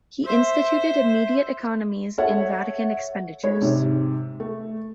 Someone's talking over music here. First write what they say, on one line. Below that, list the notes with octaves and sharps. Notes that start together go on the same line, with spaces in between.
He instituted immediate economies in Vatican expenditures.
C5 E5
A4 C#5 E5 F#5
G#3 C#5
G#2 C3
A3